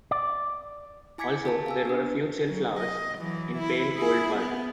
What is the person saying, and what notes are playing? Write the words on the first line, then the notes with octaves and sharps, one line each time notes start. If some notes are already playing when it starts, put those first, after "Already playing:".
Also, there were a few chill flowers, in pale cold bud.
D5
E4 G#5 D6 G#6 B6 C#7
G#4 A#4 A5
F5 G#5 E6
B3 D4 B4
F#3
D#5
E3 F#3
E4
E4 G#4
B3